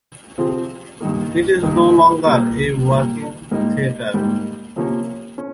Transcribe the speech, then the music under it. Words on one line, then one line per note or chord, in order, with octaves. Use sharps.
It is no longer a working theater.
C3 F3 C4 F4 G#4
G2 D#3 A#3
G2 D#3 A#3
A#2 G3 A#3
A#2 G3 A#3
G#2 G3 A#3 D#4
G#2 G3 A#3 D#4
C3 F3 A#3 C#4
C#4